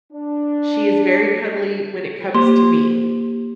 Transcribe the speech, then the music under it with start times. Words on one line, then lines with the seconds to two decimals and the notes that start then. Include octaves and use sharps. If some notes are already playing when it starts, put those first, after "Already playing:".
She is very cuddly when it comes to me,
0.12 D4
2.35 A#3 G4 C5 C6